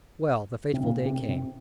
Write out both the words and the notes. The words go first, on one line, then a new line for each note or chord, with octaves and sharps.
Well, the fateful day came.
C3
A#2
C3
C3